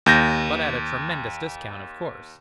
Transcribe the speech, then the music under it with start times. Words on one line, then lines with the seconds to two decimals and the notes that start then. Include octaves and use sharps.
"But at a tremendous discount, of course?"
0.06 D#2 G6 A#6